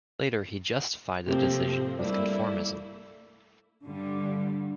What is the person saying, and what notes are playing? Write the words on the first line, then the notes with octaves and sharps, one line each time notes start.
Later he justified the decision with conformism.
C3 F3 A3 A#3 C4 G4
G2 A3 A#3 E4 D5
G2 D3 G3